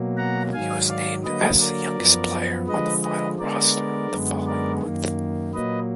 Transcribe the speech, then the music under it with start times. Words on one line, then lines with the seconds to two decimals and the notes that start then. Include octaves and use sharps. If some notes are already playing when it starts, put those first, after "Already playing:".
He was named as the youngest player on the final roster the following month.
Already playing: B2 F#3 A#3
0.17 F#5 A#5
0.53 G#2 D#3 F#3 F5 G#5
0.88 D5 F5
1.24 D3 F#3 A#3 B4 D#5
1.60 A#4 D5
1.96 F#2 F3 B3
2.68 D3 F3 G#3 B4 D#5
3.03 B4 D#5
3.39 D3 G#3 B3 A#4 D5
4.11 F#2 D3 G#3 B3
4.47 A#4 D5
4.83 F#2 D#3 A#3
5.54 A#2 F#3 A#3 B4 D#5